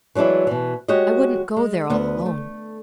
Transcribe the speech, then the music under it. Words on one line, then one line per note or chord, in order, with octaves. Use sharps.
"I wouldn't go there all alone."
E3 F#3 G#3 D4 E4
B2 E3
G#3 F#4 G4 C#5 D#5
G#3
D2 B3
A3